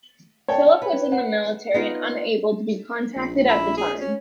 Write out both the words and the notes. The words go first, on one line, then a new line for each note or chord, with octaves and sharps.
Philipp was in the military and unable to be contacted at the time.
C#5 G5 A5
B4
F#5
B3 D#4 F4
A#1
E4
G#4
C#4